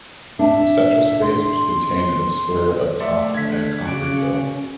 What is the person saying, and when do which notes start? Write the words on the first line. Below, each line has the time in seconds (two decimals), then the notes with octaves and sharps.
The central space was contained in a square of topped by a coffered dome.
0.39 D4 E5
1.22 C6
3.00 A3 D5 E5 C6
3.34 D3 G#6 B6
3.85 C#3 C#4 F#4 D5